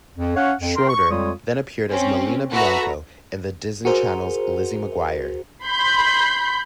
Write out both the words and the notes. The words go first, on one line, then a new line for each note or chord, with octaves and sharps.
Schroeder then appeared as Melina Bianco in The Disney Channel's "Lizzie McGuire".
F2
C#4 C#5 F5 F#5
F2
A#4 G5 C6
C#6
F2 G3 G#3 F4 C#5 D#6
C4 C#4
F#4 A4 B4 E5 A#5
F#4 G#4 A#4 C5
B5 C6 G6